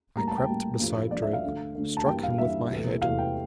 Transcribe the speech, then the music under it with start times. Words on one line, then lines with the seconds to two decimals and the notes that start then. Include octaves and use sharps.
I crept beside Drake, struck him with my head.
0.17 A2 G3 A#3 A#5
0.28 A5
0.38 G5
0.48 A2 G3 A#3
0.79 G2 F3 A3
1.11 G2 F3 A3 D5
1.22 E5
1.33 F5
1.43 D2 D3 A3
1.75 D2 D3 A3
1.97 A5
2.06 G2 E3 G3 A#3 G5
2.23 F5
2.38 G2 E3 G3 A#3 E5
2.70 E2 C3 E3 A3
3.02 E2 C3 E3 A3 F5
3.18 G5